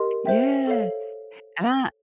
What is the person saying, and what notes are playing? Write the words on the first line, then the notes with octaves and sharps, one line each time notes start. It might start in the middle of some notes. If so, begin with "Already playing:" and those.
Yes, and I
Already playing: G4 A#4 D#5 C6
C5 E5 G5
A4 C#5 F5